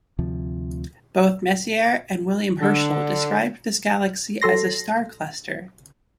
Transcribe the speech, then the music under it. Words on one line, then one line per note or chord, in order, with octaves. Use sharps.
Both Messier and William Herschel described this galaxy as a star cluster.
D2 C3 F3
D3
F#3 A4 C6 A#6